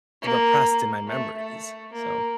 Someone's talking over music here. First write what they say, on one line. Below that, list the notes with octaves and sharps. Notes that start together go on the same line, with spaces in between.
repressed in my memories. So,
A#3
A3
A3
A#3